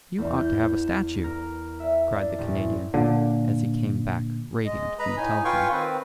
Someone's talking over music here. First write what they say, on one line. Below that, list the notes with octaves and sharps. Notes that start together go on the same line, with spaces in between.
"You ought to have a statue," cried the Canadian, as he came back, radiant, from the telephone.
E2
G6
E7
A#4
E5
D4
A1
A#2 D3
G#3 D#5
B4 D#5 A#5 B5
A2 D#4 G#5
F4 B4 F5 G5 G#5 C#6
D#3 C4 B4